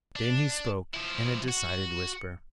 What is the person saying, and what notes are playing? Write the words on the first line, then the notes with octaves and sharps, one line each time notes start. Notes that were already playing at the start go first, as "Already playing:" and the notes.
Then he spoke in a decided whisper.
D4
F3 E4
F#4